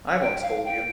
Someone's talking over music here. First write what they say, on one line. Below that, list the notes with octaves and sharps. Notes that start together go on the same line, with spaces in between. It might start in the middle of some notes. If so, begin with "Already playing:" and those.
I won’t scold you.
G5
F5
G5